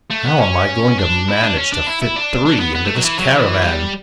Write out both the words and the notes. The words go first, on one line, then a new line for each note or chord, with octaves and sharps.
How am I going to manage to fit three into this caravan?
A3
B3
C#4
D4
E4
D4
C#4
D4
E4
E4
D4
D4
B3
B3
A3
F#3
E3
F#3
E3
G3